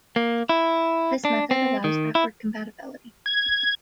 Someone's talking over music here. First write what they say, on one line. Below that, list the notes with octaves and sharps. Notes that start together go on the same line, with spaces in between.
This method allows backward compatibility.
A#3
E4
D4
C4
D#3
E4
G#6